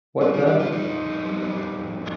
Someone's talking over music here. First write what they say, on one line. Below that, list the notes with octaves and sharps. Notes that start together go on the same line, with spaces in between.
What the...?
G3 F4
G4
G3 G4
F4
G3 D#4
F2
G3
G3
F2